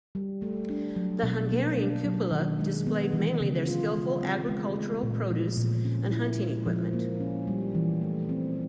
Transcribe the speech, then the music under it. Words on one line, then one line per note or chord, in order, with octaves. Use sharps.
The Hungarian cupola displayed mainly their skillful agricultural produce and hunting equipment.
G3
A3
D4
F#3
B2
A#3
D4
F#3
D#3
G#3
B3
E3
C#3
F4
G#3
C4
G#3
A3
A#2
F3
A#2
C#4
E4
G#3
F3
A#3
C#4
G3
E3
A3
C4